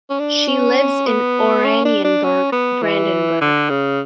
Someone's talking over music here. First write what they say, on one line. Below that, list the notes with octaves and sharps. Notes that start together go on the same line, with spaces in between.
She lives in Oranienburg, Brandenburg.
C#4
D4
C#4
B3
C#4
D4
D4
C#4
B3
E3
D3
C#3